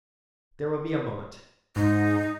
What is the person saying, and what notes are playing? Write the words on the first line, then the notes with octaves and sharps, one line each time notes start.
There will be a moment!
G#2 D#4